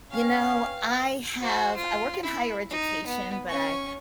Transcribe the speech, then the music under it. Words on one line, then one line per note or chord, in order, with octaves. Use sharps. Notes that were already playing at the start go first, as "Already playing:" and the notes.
You know, I have I work in higher education, but I,
C#4 B4 F5 G5
F#4 C5
F4
E4
D#4
B3
C#4 C#6